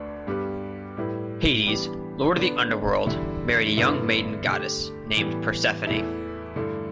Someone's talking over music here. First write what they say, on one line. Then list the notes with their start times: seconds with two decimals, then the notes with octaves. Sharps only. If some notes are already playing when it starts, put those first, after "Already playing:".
Hades, lord of the underworld married a young maiden goddess named Persephone.
Already playing: D2 D3 A3 D4 B4
0.27 G2 G3 B3 G4 B4
0.97 A2 G3 E4 B4
1.66 E3 G3 B3 D4 G4
2.37 D3 B3 D4 B4
3.06 E2 D3 G3 E4
3.76 G2 D3 B3 E4 B4
4.46 D3 A3 G4
5.16 A2 E3 G3 B3
5.86 E2 E3 A3 E4 A4
6.56 G2 D3 A3 E4